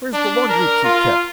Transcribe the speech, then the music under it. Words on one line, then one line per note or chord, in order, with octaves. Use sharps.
"Where's the laundry key kept?"
D4
A#4
F4